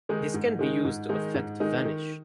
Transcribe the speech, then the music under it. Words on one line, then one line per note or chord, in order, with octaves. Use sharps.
This can be used to effect a vanish.
D#3 G#3 D#4
G#2
D#3 G#3 D#4
G#2
D#3 G#3 D#4
G#2
D#3 G#3 D#4
D#3